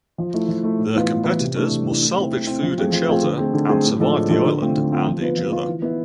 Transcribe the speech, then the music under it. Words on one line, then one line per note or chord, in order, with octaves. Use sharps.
The competitors must salvage food and shelter and survive the island and each other.
F3
A3 E4
F3
A3 E4
A2
E3 B3 F4 B4
A2
E3 B3 F4 B4
C3
E3 A3 D4
C3
E3 A3 D4
A3
C4 E4
A3
C4 E4
F3
A3 C4 F4 G#4
F3
A3 C4 F4 G#4
D3
A3 C4 G#4
D3
A3 C4 G#4
A2
F3 G#3 D4 A4
A2
F3 G#3 D4 A4
D3
A3 C4 F4
D3
A3 C4 F4
F3
B3 F4 B4
F3
B3 F4 B4
E3
B3 E4